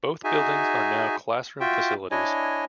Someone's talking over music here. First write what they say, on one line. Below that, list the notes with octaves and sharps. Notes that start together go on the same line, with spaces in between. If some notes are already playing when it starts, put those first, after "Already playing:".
Both buildings are now classroom facilities.
D#4 F#4 G#4 E5 G#5
F4 F#4 E5 G5
D4 E4 C#5 D#5 G#5